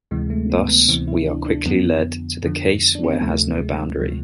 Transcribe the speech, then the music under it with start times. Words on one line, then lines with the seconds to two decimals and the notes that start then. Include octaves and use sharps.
Thus, we are quickly led to the case where has no boundary.
0.11 D2 C3 E3 G#3
0.30 A3
0.50 B3
0.69 B3
0.88 D2 C3 E3 C4
1.08 E4
1.27 D4
1.46 D4
1.66 F2 D3 F3 B3
2.43 F2 D3 F3
2.95 D4
3.04 C4
3.12 B3
3.21 D2 C3 F3 A3
3.60 G#3
3.98 D2 C3 F3